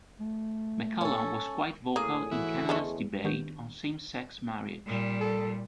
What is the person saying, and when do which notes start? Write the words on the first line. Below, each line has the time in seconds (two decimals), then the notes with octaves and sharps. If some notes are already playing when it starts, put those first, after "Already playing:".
McCallum was quite vocal in Canada's debate on same-sex marriage.
0.20 A3
1.01 C#4 A4
1.96 A2 A#3 G#4
2.31 E3 E4 F#4
2.69 E2 G#3 A3 C#4
3.24 D#3 B3 D4 G4 C#6 G6
4.87 A#2 G3
5.20 A4